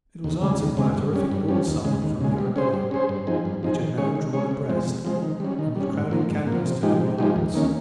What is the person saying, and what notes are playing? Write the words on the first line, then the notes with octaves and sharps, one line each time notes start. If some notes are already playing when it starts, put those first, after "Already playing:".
It was answered by a terrific broadside from the Arabella, which had now drawn abreast, and was crowding canvas to her yards.
D#2
C#3 G#3
D#2
C#3 G#3
G2
G3 C#4
G2
G3 C#4
D#2
C#3 G#3
D#2
C#3 G#3
G3
C#4 G#4 C5
G3
C#4 G#4 C5
G2
F3 C4 D#4 G#4
G2
F3 C4 D#4 G#4
D#3
G#3 C#4 G#4 C#5
D#3
G#3 C#4 G#4 C#5
C3
F3 G#3 C4
C3
F3 G#3 C4
D#3
G3 C#4
D#3
G3 C#4
G#2
F3 A#3
G#2
A#3
F3
C3
F3 G#3 D#4 G4
C3
F3 G#3 D#4 G4
D#2
D#3 A#3 C#4